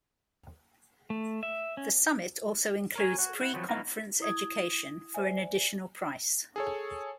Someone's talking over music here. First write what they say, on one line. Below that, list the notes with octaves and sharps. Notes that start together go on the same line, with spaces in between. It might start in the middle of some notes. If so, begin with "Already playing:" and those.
The Summit also includes preconference education for an additional price.
A3
E5
C#4
A#4 C#5 G#5
F#4
E4 F#5
F3 F#3 B3 C4 F#4
B3 D#4 E4 F#4 F5 A#5
E4 D#6 G#6
C5 D5 E5 G#5
G#4 A4 C#5